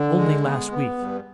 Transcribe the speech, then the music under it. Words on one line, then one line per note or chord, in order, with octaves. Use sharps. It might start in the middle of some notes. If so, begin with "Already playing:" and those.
Only last week!
Already playing: D3
G#3
B3
B3
G2